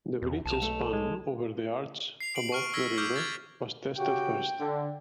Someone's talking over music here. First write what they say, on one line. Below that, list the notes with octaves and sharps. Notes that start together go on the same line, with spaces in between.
The bridge span over the arch above the river was tested first.
E2
B1 A5 E7 F7
A3
G#3
C7 F7
C7 D7 F#7
C#6 F6 D7
E6 G#6 A#6 B6
C#6 D6 E6 F6 G6 D7
F6 G#6 A6
C#3 F#4 G4 G5
D3